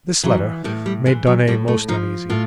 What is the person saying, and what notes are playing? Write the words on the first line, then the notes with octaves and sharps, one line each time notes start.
This letter made Darnay most uneasy.
E3 F#3
A2 G3
G3
E3 G#3
F#3
A2 G3
A3
F3 D#4
A2 F4